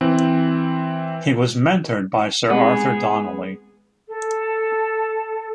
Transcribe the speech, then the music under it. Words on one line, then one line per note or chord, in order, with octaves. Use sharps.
He was mentored by Sir Arthur Donnelly.
E3 C4
G#3 B3 C4 D#4 G4 G#4
A4